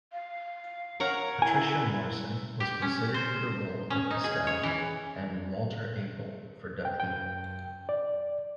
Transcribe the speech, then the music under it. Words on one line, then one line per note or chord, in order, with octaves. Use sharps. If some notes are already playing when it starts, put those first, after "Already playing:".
Patricia Morison was considered for the role of Estelle, and Walter Abel for Dudley.
F5
A#4 C#5 F#5
E4 G#5
G4
C#4
C5
C#4
D#4
G#4
C#5
E3
G5
F#2 G5
D5